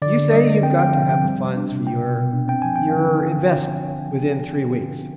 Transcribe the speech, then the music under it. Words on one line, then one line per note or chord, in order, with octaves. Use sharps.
You say you've got to have the funds for your--your investment within three weeks.
D3 D5
D3
G3 D#5
D3
C4 G5
F3 G5
D3 F5
C4 G5
G3
G3
D4
C3
B2 G5
B2
B3
D4
C4 G5
F3 G#5
C4 G5
F5
D3